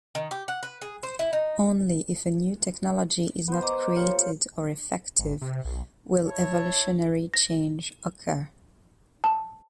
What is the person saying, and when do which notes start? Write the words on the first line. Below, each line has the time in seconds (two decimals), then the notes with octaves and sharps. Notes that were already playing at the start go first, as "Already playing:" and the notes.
Only if a new technology is not created or effective will evolutionary change occur.
0.15 D#3
0.31 G4
0.48 F#5
0.63 B4
0.81 G#4
1.03 C5
1.19 E4
1.33 D#4
3.48 B3 C5
3.62 D#5 A#5 D6
3.96 G3 A#3 F4 C#5
5.19 G#1
5.42 C3
5.65 B1
6.27 E4 C#5 A5
7.34 A#6
9.24 A5